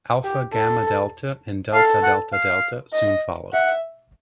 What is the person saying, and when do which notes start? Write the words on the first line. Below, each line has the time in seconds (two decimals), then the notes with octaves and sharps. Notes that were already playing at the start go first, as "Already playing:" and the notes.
Alpha Gamma Delta and Delta Delta Delta soon followed.
0.24 G4
0.54 A4
1.74 A4 F5
2.03 F#5
2.33 F5
2.93 D#5
3.53 E5 F#5